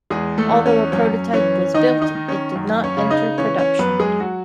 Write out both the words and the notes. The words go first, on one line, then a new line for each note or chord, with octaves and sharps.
Although a prototype was built, it did not enter production.
E2 G#3 G#4
A3 A4
E2
C#4 C#5
F#2 C#4 C#5
E3 C#4 C#5
D#3 D#4 D#5
D#4 D#5
D#3
C#4 C#5
F#2
C#4 C#5
C#3
D#4 D#5
E3 C#4 C#5
C#4 C#5
F#2 B3 B4
G#3 G#4
F#3 F#4